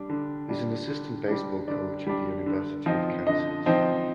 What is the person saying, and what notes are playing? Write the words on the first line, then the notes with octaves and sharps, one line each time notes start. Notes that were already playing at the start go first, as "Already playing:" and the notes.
He is an assistant baseball coach at the University of Kansas.
Already playing: G3 D4
D3
G3 D4
D3
G3 D4
D3 D5
G3 D4
D3
F3 C4 D#4
D3 D#5
F3 C4 D#4